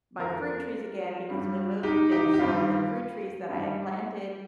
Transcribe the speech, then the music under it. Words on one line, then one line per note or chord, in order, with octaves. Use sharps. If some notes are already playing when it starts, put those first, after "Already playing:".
my fruit trees again because we moved and so the fruit trees that I had planted
F2 F3 F4 A#4
G2 G3
D#4 G4
D#4 G4
G4
G2 D#3 G3 F4
G2 G3